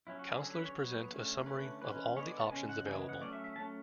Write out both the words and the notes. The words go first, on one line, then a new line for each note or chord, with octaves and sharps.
Counselors present a summary of all the options available.
F#3 C#4 E4
F#4
G#4
D3 F#3 C#4 A4
B4
C#5
F#3 B3
D3 A3 C#4
D3 A3 C#4 B4
E3 G#3 C#4 B4
D3 G#3 B3 C#5
D5
A5
C#3 G#3 C#4 G#5
F#5
C#3 E3 G#3 B3 G#5
F#5
F#3 A3 C#4 D5
E5
E5
F#3 A3 C#4 A5